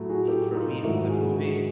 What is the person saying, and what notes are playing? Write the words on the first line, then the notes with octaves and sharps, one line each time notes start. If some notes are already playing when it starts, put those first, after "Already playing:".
m for me f the movie,
Already playing: A2 F#3 A3
F#4 G#4
G4 A4
D#4 F4
G#2 D#3 F#3 A3 E4 F#4
F#4 G#4
F#4 G#4